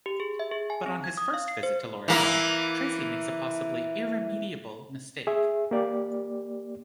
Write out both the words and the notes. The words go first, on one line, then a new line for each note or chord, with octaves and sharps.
But on his first visit to Laura's home, Tracy makes a possibly irremediable mistake.
G4
G#4
E5
G#4
G#5
C4
G#6
D#6
F5
C7
C5
E3 A#3 E4
G#4 E5
A#3 G4 D5